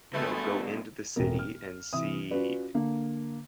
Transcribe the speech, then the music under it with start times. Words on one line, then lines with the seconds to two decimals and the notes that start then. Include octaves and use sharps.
you know go into the city and see,
0.13 G2 B2 G#3 A3 B4
1.16 E1 A2 C3 A3 A#4
1.39 F6
1.93 C3 E3 E5 D#6
2.30 C#4 F4 F#4 B4 D5
2.74 D3 A#3